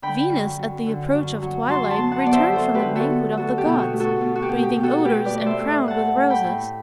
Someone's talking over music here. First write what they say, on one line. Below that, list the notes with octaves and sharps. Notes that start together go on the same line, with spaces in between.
Venus at the approach of twilight returned from the banquet of the gods, breathing odors and crowned with roses.
D3 G5 B5
F#2
F#2
D3
F#2
F#3
F#3 A5 C6
A5 C6
B3
F#5 A5
B3 D5
C5 E5
F#3 A4 C5
G4 B4
D3
F#4 A4
B3
A3 F#4 A4
G4
B2
F#4
A3
F#4 A4
B2
F#4
G4
B2
G4
B2
F#4 A4
A3 G4 B4
B4 D5
A3
D5
C5 E5
A2
A2 F#5 A5
A3
G5 B5
A2